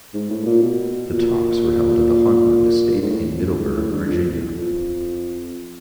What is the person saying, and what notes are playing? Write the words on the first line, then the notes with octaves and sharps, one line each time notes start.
The talks were held at the Huntland estate at Middleburg, Virginia.
G#2
A2
A#2
B2
A#2
G2
G#2
A2
F2
F#2
G#2
A2
G2
F2
E2
F2